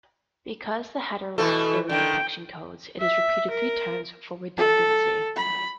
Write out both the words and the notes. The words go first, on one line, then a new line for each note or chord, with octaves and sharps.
Because the header lacks error detection codes, it is repeated three times for redundancy.
B2 E3 A3 A4
D3 D#3 G5
E5
A#4
A4
B5